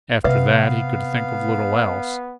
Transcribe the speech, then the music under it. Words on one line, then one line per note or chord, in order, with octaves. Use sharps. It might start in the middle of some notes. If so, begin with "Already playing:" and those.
After that he could think of little else.
C3 B3 B4 E5 F5